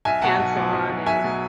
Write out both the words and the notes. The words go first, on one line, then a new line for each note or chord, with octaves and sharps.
hands-on and
B1 E5 G#5
B2 F#3 F#5 A5
B1
B2 F#3
B1
B2 F#3
B1 E5 G#5
B2 F#3